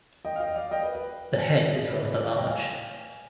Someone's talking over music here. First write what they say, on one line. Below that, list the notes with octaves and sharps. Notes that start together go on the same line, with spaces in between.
The head is rather large.
D#5 G5
F5
D#5 G5
D5 F5
D#5 G5
B4
B4
G#4
B4
B4 D5
D5 F5
D#5 G5
F5 G#5